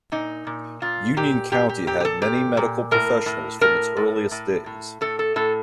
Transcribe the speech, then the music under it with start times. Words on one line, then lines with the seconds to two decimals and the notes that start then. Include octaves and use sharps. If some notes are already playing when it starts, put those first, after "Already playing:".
Union County had many medical professionals from its earliest days.
0.12 A#2 D#4
0.47 A#2
0.82 A#2 F4
1.17 A#2 G4
1.52 A#2 G4
1.69 G4
1.87 A#2 G4
2.00 G4
2.05 A4
2.22 A#2 G4
2.57 A#2
2.91 A2 A#4
3.26 A2
3.61 A2 A#4
3.97 A2
4.31 A2
4.66 A2
5.01 A2 A4
5.19 A4
5.36 A2 A4